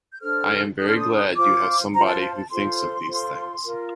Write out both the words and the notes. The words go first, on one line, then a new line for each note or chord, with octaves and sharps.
I am very glad you have somebody who thinks of these things.
G6
D4 A4 C5 F6
D4 A4 C5 D#6
F6
D#6
F4 C5 D6
F4 C5 A#5
A5
A5
A5
F4 A4 C5 C6
F4 A4 C5
F4 A#4